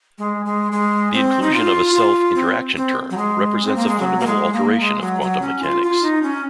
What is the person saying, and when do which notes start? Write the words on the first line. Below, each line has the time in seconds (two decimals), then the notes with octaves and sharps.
The inclusion of a self-interaction term represents a fundamental alteration of quantum mechanics.
0.18 G#3
0.45 G#3
0.72 G#3
1.13 C4
1.42 D#4
1.54 F4
1.95 F4
2.35 C4
2.77 C4
3.10 F#3
3.17 G#3
3.64 C4
3.76 A#3
3.88 G#3
3.99 F#3
4.20 A#3
4.26 G#3
4.53 A#3
4.80 G#3
5.01 F#3
5.21 F#3
5.42 C#4
5.62 F4
5.83 F4
6.03 D#4
6.23 C#4